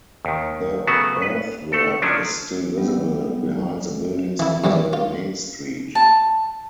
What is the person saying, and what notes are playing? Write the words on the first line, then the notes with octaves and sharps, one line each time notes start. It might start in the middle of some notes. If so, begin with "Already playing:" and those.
The earthwork is still visible behind the buildings on the main street.
D#2 D#3
C#3 F#3 A3 B3 F#4
B4
A3 A4
F3 F#3 C#4 D4
F#3 G3 B3
E3 E4
F#2 E3 G3 C4
F4
A5